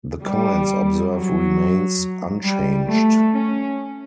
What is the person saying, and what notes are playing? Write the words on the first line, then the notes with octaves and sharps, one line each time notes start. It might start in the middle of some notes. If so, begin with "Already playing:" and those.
The coin's obverse remains unchanged.
G3
F#3
G3
A3
C#4